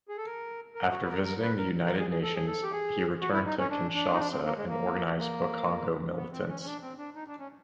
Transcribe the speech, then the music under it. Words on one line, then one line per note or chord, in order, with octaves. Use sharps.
After visiting the United Nations, he returned to Kinshasa and organized Bakongo militants.
G#4
A4
A#4
A#4
F#4
B4
A#4
A#4
B4
A#4
A#4
G#4
G#4
A4
G#4
A4
G4
G#4
F#4
E4
D#4
C#4
D4
D4
D#4
D4
C4
A#3
G#3
A#3
A#3
B3
C4
C#4
C#4
D4
C4
D4
D#4
D4
C#4